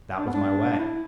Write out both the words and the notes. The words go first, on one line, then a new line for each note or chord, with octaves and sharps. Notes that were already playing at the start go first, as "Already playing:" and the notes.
That was my way.
D4
B3
D4
D4
E4